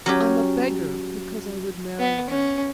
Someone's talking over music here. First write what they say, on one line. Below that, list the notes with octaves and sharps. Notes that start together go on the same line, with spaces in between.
I'm a beggar because I would marry her.
F#3 C#4 G4
B3
C#4